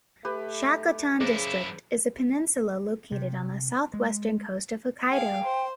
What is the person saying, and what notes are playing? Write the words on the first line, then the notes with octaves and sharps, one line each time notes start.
Shakotan District is a peninsula located on the southwestern coast of Hokkaido.
A3 G4 B4
F#2 C#3 E4 G#4 C5
C3
G#3
G#4 F5 G5
C5